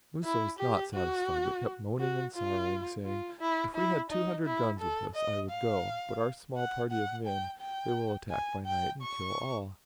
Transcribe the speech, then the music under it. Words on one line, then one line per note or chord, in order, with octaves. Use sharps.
Musa was not satisfied, but kept moaning and sorrowing, saying, "If we had two hundred guns with us I would go; but our small party of men they will attack by night, and kill all."
E4
G4
F#4
F#4
F4
F4
E4
E4
D#4
E4
A4
D#5
F5
F#5
F#5
G5
G5
G#5
G5
C#6